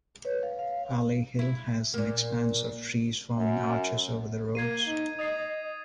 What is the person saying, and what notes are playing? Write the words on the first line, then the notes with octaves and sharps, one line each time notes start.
Pali Hill has an expanse of trees forming arches over the roads.
B4 C#5
F5
F5
E4
A#2 A#3
F#2
A#3 G#6 C7 D#7
D#4
D#5 D#6 A6 C7